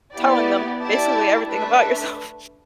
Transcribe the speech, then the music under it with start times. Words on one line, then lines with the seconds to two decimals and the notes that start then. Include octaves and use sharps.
telling them basically everything about yourself.
0.14 B3 E4 G4 D5
0.80 E4 G4 D5 A5
1.45 A3 D4 B4 E5